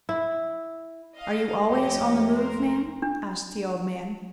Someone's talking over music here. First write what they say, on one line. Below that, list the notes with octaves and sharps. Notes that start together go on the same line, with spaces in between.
'Are you always on the move, ma'am?' asked the old man.
E4
D#5 F5
F2 A3 G4 C#5 D#5
A#4 C5
D4